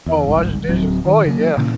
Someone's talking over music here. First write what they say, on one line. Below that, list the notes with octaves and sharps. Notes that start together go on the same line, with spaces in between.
Oh, washing dishes. Oh, yeah.
E2
G1 C2 G#2
D1 F#3 C4
D#3
C#3 F#3 A#3
A#2 C#3 E3